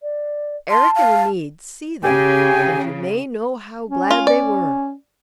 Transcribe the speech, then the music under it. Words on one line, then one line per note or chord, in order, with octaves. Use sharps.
Erec and Enide see them, and you may know how glad they were.
D5
A5 C6
F5
C#3 G4 G5 G#5
C#4
F4
D5